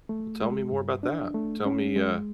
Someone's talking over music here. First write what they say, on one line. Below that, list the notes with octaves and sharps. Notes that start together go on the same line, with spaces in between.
Tell me more about that, tell me, uh,
A3
G#3
G2
D4
A3
C#4
G#3